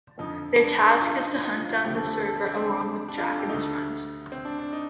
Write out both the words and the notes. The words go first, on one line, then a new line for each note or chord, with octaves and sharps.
Their task is to hunt down The Server along with Jack and his Friends.
F2 D3 F3 D#4
D4
D4
D#4
F4
D#4
D#4
F4
F4
D2 C3 F3 A3 G4
A4
A4
C4
D4
C4
D4
F4
A4
G4
D2 D3 A3 D#4
C4
D4
D4
D#4